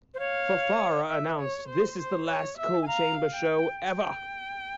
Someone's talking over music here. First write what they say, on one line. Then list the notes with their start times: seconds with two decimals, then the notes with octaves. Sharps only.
Fafara announced This is the last Coal Chamber show ever!
0.14 C5
0.19 C#5 F5
1.08 E5
1.39 C#5
1.68 C5
1.98 C5
2.28 C#5
2.58 E5
2.82 G#5
2.87 F5 A#5
3.32 G5
3.77 G5